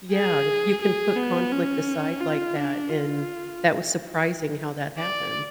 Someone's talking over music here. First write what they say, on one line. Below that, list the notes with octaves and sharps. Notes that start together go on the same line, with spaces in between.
yeah, you can put conflict aside like that, and that was surprising how that happened.
G#4
G#4
B3
C#4
F4
D4
F4
D5